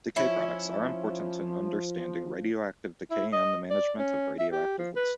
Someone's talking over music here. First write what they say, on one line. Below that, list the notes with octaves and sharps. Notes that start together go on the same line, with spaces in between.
Decay products are important in understanding radioactive decay and the management of radioactive waste.
F3 C#4 E4
E4
D#5
D5
C#4
E5
G4
F3
B4